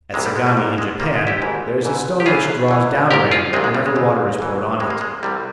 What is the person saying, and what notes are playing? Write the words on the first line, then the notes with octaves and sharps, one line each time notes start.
At Sagami in Japan there is a stone which draws down rain whenever water is poured on it.
C2 C3 E3 G#3
G3
G#3
G3 A#3
C2 A#2
G#3
C2 A#2 G3 A#3
G#3 C4
E4 G4
G#1 G#2 E3
G#1 G#2 E3
G4
E2 E3 F4 G#4
E2 E3
C2 A#2 G4 A#4
F4 G#4
C2 A#2 G#3 C4
G#3
G3
G#3
G#1 G#2 E3
G#1 G#2 E3
C2 C3 E3 G#3
A#3
G#3
C2 C3 E3 G3